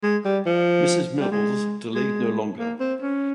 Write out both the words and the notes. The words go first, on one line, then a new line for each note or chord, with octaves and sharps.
Mrs. Mills delayed no longer.
G#3
G3
F3
G3
G#3
G#3
A#3
C4
C#4